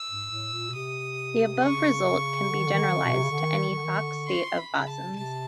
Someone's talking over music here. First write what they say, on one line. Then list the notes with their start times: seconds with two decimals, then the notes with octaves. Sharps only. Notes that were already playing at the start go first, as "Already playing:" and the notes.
The above result can be generalized to any Fock state of bosons.
Already playing: E6
0.08 G#2
0.30 A2
0.53 A#2
0.70 B2
0.75 C3 D#6
1.63 C#3 C#6
2.51 D3
2.59 D#3
2.67 D3
2.73 D#3
2.81 D3
2.89 D#3
2.97 D3
3.05 B2
3.13 C3
3.23 C#3
3.31 D3
3.40 D#3
3.70 D#3
3.77 D3
3.84 D#3
3.99 D3
4.28 C6
4.58 B5
4.73 C#3
4.86 A5
5.12 C#3
5.16 C3 A5